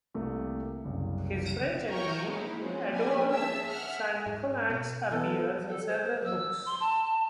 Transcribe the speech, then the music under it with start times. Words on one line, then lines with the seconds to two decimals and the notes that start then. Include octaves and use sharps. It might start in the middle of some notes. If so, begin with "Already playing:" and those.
His French enemy, Edouard Santhonax appears in several books.
0.14 C2 C3 A3 A#3
0.84 F#1 C2
1.88 C#5 G5 A#5 C#6 F6
2.26 G#3 A#3 D#4 E4
2.60 F3 G#3 A#3 C4 C#4 F#4
2.93 A#3 D4 G4 B4 D#5 G#5
3.30 G#4 E5 A5 E6
3.69 E5 F#5 F6
4.26 G#2
4.70 B2
5.11 E3 B3 A4
5.69 A4
5.87 C5
6.25 E6
6.66 C6
6.81 A5